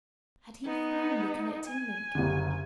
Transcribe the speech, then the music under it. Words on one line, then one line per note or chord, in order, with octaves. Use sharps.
Had he found the connecting link?
B3 D#4
G#5
F#1 C2 D3